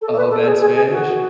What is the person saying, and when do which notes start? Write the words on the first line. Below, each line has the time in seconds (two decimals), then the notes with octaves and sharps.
Oh, bad Spanish?
0.02 A4
0.17 B4
0.31 A4
0.45 G#4
0.60 G#4
0.75 G#4
0.91 F#4